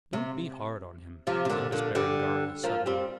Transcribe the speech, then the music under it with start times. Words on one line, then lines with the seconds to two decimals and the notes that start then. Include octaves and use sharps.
"Don't be hard on him," said Miss Berengaria, suddenly.
0.13 C3
1.27 C3 F3
1.45 C3
1.50 A#2 D3
1.72 A#2 D3
1.95 D3 G3
2.64 F3 A#3
2.86 G3 C4